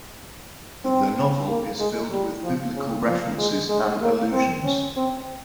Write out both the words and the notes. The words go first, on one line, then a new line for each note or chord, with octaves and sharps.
The novel is filled with Biblical references and allusions.
C4
A#3
G#3
G3
F3
C#3
F3
G#3
G#3
A#3
C4
C#4
C4